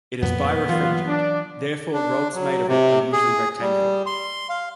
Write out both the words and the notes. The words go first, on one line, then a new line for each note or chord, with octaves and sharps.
It is birefringent, therefore rods made of it are usually rectangular.
F2 A#2 B3
G2 E3 F#3 F4
D4
D4
F#3
C3
G#4
G3
C6
F5